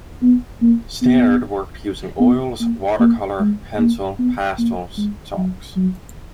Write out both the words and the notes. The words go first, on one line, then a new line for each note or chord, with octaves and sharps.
Stannard worked using oils, watercolour, pencil, pastels, chalks.
B3
A#3
B3
B3
A#3
A#3
G#3
A#3
B3
A#3
G#3
F#3
F#3